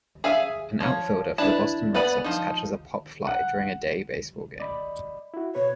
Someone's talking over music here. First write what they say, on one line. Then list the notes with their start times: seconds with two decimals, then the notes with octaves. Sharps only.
An outfielder for the Boston Red Sox catches a pop fly during a day baseball game.
0.24 G#4 E5 F5 G#5
0.80 F3 C#5
1.38 D4 E4 B4 A5
1.95 B3 B4 D5 G#5 B5
2.24 F3 D#4
3.27 F#5
4.60 D5 D#5 B5
5.34 E4 F#4
5.55 B2 B4 C#5